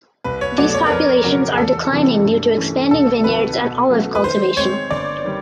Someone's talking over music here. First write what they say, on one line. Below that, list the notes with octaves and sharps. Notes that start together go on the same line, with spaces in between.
These populations are declining due to expanding vineyards and olive cultivation.
C2 B4
C#5
B2 F#3 A3 D5
C#5
A#4
F2 B4
C#3 F#3 A#4
G#4
E2 A4
C3 E3 G3 C4
G2
E3 A3 C#4
C2 A4
C3 D#3 F#3 B4
B2
F#3 A3 C#4
B4
D#3 C5
G#3 C4 C#5
G1 D5
D#3 G3